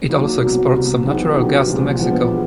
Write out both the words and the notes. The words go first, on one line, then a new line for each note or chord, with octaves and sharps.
It also exports some natural gas to Mexico.
D#3 F#3 A#3
C2 B2 F#3
C2 B2 G3
F3 G#3 B3 D#4 G4
D#3 F#3 B3 D4 G4
C2 A#2 F3 G#3
F3 G#3 B3 D4 G4
E3 G3 B3